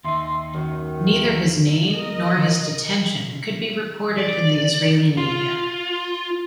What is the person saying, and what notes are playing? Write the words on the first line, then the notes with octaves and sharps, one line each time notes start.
Neither his name nor his detention could be reported in the Israeli media.
D#2 D#4 E5 C6
F#2 D#3
A#4 D#5
D5
F4